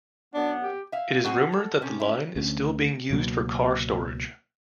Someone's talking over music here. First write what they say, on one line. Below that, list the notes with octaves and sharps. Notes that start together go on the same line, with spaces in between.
It is rumored that the line is still being used for car storage.
F#2 B3 D4 F#5
G4
E5 F5
F#3 C4 F#4 G#4 B4 G#5
A4
C3 C#4
C#4 E4
D2 C#4
C#2 B2 F#3 A#3